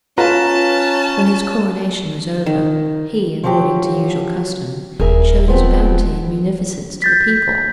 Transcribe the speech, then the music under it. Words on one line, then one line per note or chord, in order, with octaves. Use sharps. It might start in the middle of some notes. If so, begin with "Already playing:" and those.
When his coronation was over, he, according to usual custom, showed his bounty and munificence to the people.
C#4 F4 B4 A5 A#5
D#3
F3 F#3 G4
D#1 G#4 A#4 E5
F3 B3 C4
G6 A6 B6